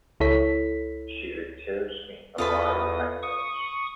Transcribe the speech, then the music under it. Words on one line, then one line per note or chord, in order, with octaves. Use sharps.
She, with tears in her eyes, accepts.
C#2 E4 A4 C#5 B6
E2 F4 A4 B4 D#6
C#6 D#6